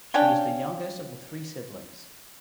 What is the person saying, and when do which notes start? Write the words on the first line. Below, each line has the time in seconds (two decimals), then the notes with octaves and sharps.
She is the youngest of the three siblings.
0.14 C#4 D4 F5 G5